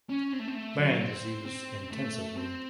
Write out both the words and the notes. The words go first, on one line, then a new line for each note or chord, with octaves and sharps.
Land is used intensively.
C#4
C4
A3
C4
A3
F#3
C4
C4
A3
C4